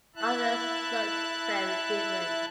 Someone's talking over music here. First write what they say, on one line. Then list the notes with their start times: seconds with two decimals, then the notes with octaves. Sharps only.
Others looked very different.
0.16 E4 E5 A5 F#6